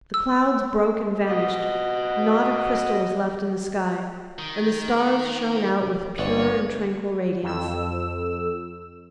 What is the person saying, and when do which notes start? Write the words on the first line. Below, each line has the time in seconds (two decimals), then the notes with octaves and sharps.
The clouds broke and vanished, not a crystal was left in the sky, and the stars shone out with pure and tranquil radiance.
0.14 E6
1.29 F#4 D#5
4.38 D#3
6.18 G1 B4 C#5 D5
7.43 F2 E6